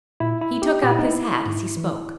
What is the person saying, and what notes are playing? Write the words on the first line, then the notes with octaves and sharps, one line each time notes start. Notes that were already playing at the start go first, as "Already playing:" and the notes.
He took up his hat as he spoke.
A#2 E4
E4
G4
A#2 G4
E4
D#4
E4
G#2
E3